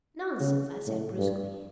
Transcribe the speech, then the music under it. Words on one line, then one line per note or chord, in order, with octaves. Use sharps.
"Nonsense!" I said bruskly.
C#3
A2
G2